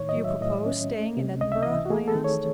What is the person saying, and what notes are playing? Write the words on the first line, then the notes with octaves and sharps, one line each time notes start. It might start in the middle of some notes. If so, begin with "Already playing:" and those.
"Do you propose staying in Edinburgh?" I asked.
Already playing: A2 D#3 C#5
D#5
F#3
E5
A2 D#5
C#4
A3
C3
C#2 D#5
E5
E3 D#5
F#4
A3 G#4
A4
D#3
C#5